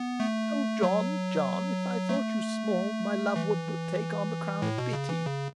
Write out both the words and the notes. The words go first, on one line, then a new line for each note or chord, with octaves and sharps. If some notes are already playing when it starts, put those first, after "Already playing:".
Oh John, John, if I thought you small, my love would but take on the crown of pity.
Already playing: B3
A3
F#3
A3
E3
A2
B2
C#3
E3
C#3